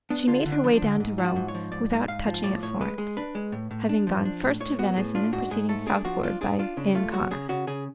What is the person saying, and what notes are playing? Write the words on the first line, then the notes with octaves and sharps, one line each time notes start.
She made her way down to Rome without touching at Florence--having gone first to Venice and then proceeded southward by Ancona.
B3 D4
D3 F4
D3
D4
F3
D4
D3
G#2
F3
F#4
G#2
C#5
F3
G#2 D5
G#2
G#2 F5
F3
A2 D5
A2 C#5
G#3 B4
G#3 G#4
D4 B4
G#3
A2
A2
D4
F3
D4
A2
A2 C#5
B3 F#4
A2 G#4
D4 F4
G#2 F#4
G#2 G#4
A3 A4
D4 G#4
F3 F#4
D4 F4
D4 G#4
D4 F4
C#3 D4
A3 F4
F#3 F#4
C#3 G#4
C#3 F#4
C#3 G#4